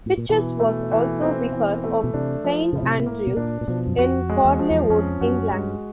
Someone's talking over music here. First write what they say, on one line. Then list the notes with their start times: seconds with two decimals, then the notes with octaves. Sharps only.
Pytches was also vicar of Saint Andrew's, in Chorleywood England.
0.06 A2
0.17 A#2
0.29 B2 E3
0.60 A3
0.92 E3
1.22 C4
1.53 E3
1.84 A3
2.04 B2
2.14 C3 D4
2.44 F3
2.73 A2 C#3
2.83 C3
3.06 A#3
3.27 B2
3.37 A#2 D4
3.61 A#2
3.68 B2 F3
3.87 F#2
3.98 F2 F#4
4.30 G#3
4.45 E2
4.59 F3
4.70 E2
4.90 F2 C#4
5.21 F#2 F#4
5.51 G2 G#3